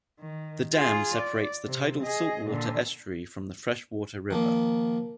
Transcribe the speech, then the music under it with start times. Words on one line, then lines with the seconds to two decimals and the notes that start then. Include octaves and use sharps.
The dam separates the tidal salt water estuary from the fresh water river.
0.19 D#3
0.75 F4 G#4
1.16 D5
1.67 C3
2.03 G#4 D#5
2.46 A#2 D3
4.31 D#3 F3 A#3